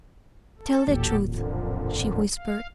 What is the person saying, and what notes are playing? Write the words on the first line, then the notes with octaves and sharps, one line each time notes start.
"Tell the truth," she whispered.
A4
D#1 A1 F#3 G4 A4
F2 A#2 D3
F5